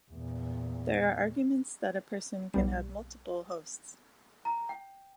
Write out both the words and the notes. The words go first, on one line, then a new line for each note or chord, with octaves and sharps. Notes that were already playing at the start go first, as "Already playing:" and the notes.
There are arguments that a person can have multiple hosts.
E2 A#2
B1 G3
A#5
G5